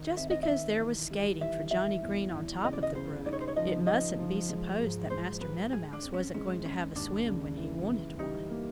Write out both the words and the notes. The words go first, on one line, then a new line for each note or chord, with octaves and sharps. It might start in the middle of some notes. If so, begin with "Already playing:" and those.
Just because there was skating for Johnnie Green on top of the brook it mustn't be supposed that Master Meadow Mouse wasn't going to have a swim when he wanted one.
Already playing: D#3 D#4
C4 E5
D#5
E5
D#3
E3
G3
E3 E5
G3 E5
E2
E2
C#3 D#5
D5
D#5
C#3 C5
D#4 D5
C#5
C5
C#5
F3 D#5
D#4 D#5
F3
G#3
G#2
G#3 C5
G#3 B4
G#3 G#4
D4
C4
C#4
G#3 C#4
G#3 C#4
D#2 D4
C#3
E3
E3
G3 D#4
A#3